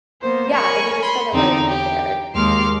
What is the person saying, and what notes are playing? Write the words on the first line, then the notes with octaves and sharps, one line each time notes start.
Yeah, and you just, kinda let it sit there.
A#3 B3 C5
A#4 C#5 G#5 B5 C#6
B5 C6
E2 D3 C4 D#4 D5
G4
D#2 G#3 A#3 C6 D6 F6